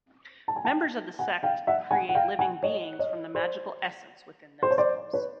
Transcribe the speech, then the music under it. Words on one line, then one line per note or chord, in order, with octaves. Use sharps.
Members of the sect create living beings from the magical essence within themselves.
A5
G#5
G5 A5
F#5 G#5
F5 G5
E5 F#5
F#5 G#5
F#5
F5 G5
F#5 G#5
C#5 D#5
C#5 D#5
C5 D5
C5
C#5
C5 D5
B4 C#5